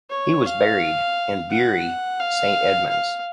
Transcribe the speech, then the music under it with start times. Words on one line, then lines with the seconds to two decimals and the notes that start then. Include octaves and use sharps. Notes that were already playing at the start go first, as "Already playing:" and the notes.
He was buried in Bury Saint Edmunds.
0.10 C#5
0.46 F5
1.50 F#5
2.20 F5
2.90 F5